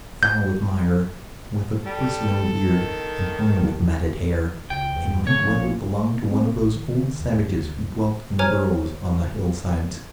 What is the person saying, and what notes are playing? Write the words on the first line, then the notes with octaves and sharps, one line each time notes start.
Foul with mire, with a bristling beard, and hung with matted hair, it might well have belonged to one of those old savages who dwelt in the burrows on the hillsides.
G6
G3 A4
D#3
C#2 G5
E2
D#1 D3 A3 C#5
A#1 F3 C#4
C4
A1
D#3
D#2
D2
C5 C#5 G#5 A#5 F6 G#6